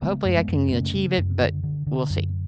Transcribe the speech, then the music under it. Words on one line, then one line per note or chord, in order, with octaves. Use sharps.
hopefully I can achieve it, but we'll see.
C#3 G#3 B3
F#2 A3
G#3 B3
F#2
C#3 A3 C#4
C#3
F#2
D3
D3
D3
F#2